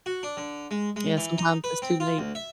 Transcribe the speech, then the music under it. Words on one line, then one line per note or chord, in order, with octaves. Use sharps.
Yeah, sometimes it's too late.
F#4
D4
D3
G#3
G#3
E3
D#4
B4
C4
F4
D2
E5